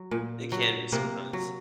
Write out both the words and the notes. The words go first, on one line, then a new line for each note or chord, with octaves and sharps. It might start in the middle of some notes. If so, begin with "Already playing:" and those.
It can be sometimes.
Already playing: F#3
A#2
F#3
C3 A#3
F#3